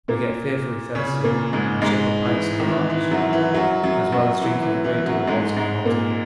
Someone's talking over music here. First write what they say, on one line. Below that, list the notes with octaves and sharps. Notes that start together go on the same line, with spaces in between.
We get fearfully thirsty and chip up ice on the march, as well as drinking a great deal of water on halting.
A#2 A#3
C#3 C#4
A#2 A#3
G#2 G#3
G#2 G#3
E3
D#3
E3
E3
F#2 F#3
E3
F#2 F#3
F#2 F#3
F#2 F#3
E3
E3
E3
F#2 F#3
G#2 G#3
G#2 G#3
A#2 A#3